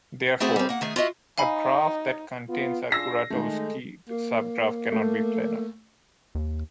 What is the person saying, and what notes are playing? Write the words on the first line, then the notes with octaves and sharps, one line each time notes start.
Therefore, a graph that contains a Kuratowski subgraph cannot be planar.
A3 C4 E4 F#4 G#4 A4
G3 C4
A#3 F#5
D#3 A3 G#4
F4 F#4 D#5 E5
D#4 F5 G#5 B5
B3 F4
D4 F4 G#4 E6 A#6 C7
D#3 G#3 A3 A4
A#3
A3
D#2